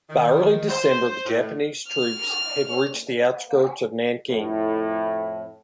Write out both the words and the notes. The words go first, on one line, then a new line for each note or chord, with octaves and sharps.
By early December, the Japanese troops had reached the outskirts of Nanking.
D#3
C5
A2
F6
F2 A2